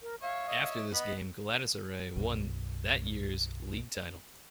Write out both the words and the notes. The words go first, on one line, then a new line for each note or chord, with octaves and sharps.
After this game, Galatasaray won that year's League title.
A#4
C#5 E5 F5
C#5 D#5 E5
B3 D#5 B5
B1 F#2